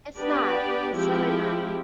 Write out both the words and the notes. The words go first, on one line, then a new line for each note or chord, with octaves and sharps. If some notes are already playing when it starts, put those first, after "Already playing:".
It's not. It's really not.
B3 D4 G4 B4 D5
F3 G#3 C4 E4 G4